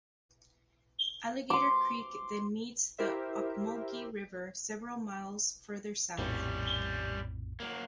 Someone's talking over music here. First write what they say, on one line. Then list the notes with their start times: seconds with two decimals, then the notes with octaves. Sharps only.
Alligator Creek then meets the Ocmulgee River several miles further south.
1.50 C6 D6
2.98 E4 G4 A#4 C5 E5
6.18 A#1 F2 A2 G3 C#4
7.60 F#3 A#3